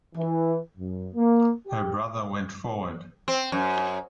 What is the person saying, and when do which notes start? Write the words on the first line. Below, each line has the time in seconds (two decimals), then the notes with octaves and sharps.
Her brother went forward.
0.16 E3
0.78 F#2
1.15 A#3
1.67 G4
3.28 C4
3.52 F#2